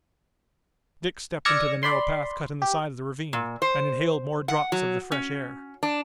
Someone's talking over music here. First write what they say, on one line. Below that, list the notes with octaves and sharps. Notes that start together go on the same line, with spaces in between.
Dick stepped into the narrow path cut in the side of the ravine and inhaled more draughts of the fresh air.
D5 E6 F6 G#6 A#6 C#7
D5 B5 C6
G4
A#2
C5
F#5
F#3
C#4
D4